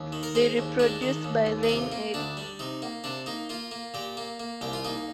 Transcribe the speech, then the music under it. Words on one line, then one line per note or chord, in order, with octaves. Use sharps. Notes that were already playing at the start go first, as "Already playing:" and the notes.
They reproduce by laying eggs.
Already playing: D#2
D#3
A#4
G#3 C5
D#2
G#3 D4
D#3
D#2
D#2
D#4
C3 F4
A#3
D2 D4
G3
C3 D#4
A#3
C3 D4
A#3 D#4
A#3 F4
A#3
A#2 G4
A#3
A#3
C2 G4
F4
A#3 D#4